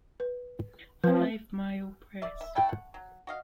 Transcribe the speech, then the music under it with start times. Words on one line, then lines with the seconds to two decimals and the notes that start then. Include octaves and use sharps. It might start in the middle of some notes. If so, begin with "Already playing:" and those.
Five Mile Press.
0.20 B4
1.04 F3 C4 B4
2.22 D5 E5
2.41 E5
2.55 A3 E4 G5
2.69 F#5
2.94 F#3
3.27 F#4 D#5 F5